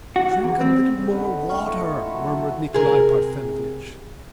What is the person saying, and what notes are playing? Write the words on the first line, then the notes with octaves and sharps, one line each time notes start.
"Drink a little more water," murmured Nikolay Parfenovitch.
F#4
E2
C4
C#3
D3 B3 D#4
A3 C#5 F5 G5
F4 D#5
E4 A4
E3 F#3 B3
C3 G#4 A#4